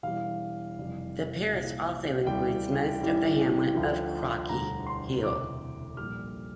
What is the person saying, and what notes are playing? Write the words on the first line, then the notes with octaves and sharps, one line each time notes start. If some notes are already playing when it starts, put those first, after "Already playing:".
The parish also includes most of the hamlet of Crockey Hill.
E1 E2 E3 G3 F5
F1 F2 E3 G3
C2 A#2 G3
D2 C3 E3 G3 G5
A1 A2 E3 G3
D2 D3 F3
E1 D2 D3 G3 A#5
C6
E1 D2 C3 D6
A#1 A#2 G3 F6